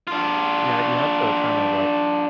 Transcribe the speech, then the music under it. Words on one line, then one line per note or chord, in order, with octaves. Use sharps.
Yeah, you have to kinda, like
D4 F4